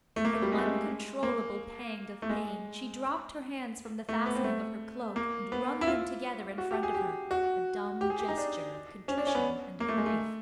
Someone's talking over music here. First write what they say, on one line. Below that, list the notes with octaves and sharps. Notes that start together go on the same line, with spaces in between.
With an uncontrollable pang of pain she dropped her hands from the fastenings of her cloak, and wrung them together in front of her--a dumb gesture of contrition and of grief.
A3
A#3
A3
G3
G#3
A3
G#3
A#3
A3
G#3
A3
B3
C4
A3
A#3
B3
E4
F4
F#4
G4
G#4
G4
F#4
G4
G#4
G4
D#4
D4
C#4
D4
C#4
B3
A#3
A3
G#3
A3